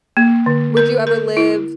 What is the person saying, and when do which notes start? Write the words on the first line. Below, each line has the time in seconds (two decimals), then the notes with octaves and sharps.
Would you ever live
0.17 A#3
0.46 D3
0.77 A#4
1.07 A#4
1.37 E4